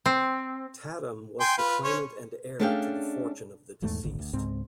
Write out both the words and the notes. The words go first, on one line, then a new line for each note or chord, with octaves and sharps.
Tatham was the claimant and heir to the fortune of the deceased.
C4
G5 G#5 C6
F4 B4
C#4 C5 C#5
A3 C#4 D4 G#4 F5 G5
D#1 E2 G#2 A3
D#1 G#1 D3
D2
C#2 G#2 C4